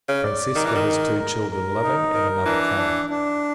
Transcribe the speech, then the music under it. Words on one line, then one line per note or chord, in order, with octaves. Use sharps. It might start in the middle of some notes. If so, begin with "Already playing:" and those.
Francesca has two children living, and another coming.
C#3
D5
D#3 A#4
E3
D#3
A#4
A#4
A#4
D#4
A#4
E3 D4
D4
D4